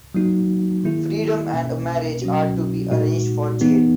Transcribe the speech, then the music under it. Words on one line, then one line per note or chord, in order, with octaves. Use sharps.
Freedom and a marriage are to be arranged for Jade.
F#3 A#3 D#4 F#4
D#3 A#3 E4 G#4
B2 A#3 C#4
B2 F#3 C#4 F#4
A#2 G#3 D#4 F#4
E3 B3 D#4 G#4